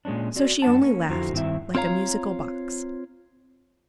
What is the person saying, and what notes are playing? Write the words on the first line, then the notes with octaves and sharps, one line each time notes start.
So she only laughed, like a musical box.
A#2 G#3 A#3 C#4 D4
C4 F#4 D5
F#2 D4 F#5 A5
A#3 C#4
F2 D3 E4 F#4 C5 A#5
G2 D#3 C4 E4 E5
C4 F4 C#5 F5 A#5